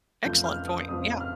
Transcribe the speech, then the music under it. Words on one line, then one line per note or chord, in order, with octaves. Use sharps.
Excellent point, yeah.
F1 F2 F3 G6
F6
D#6
F1 F2 F3 D#6
F6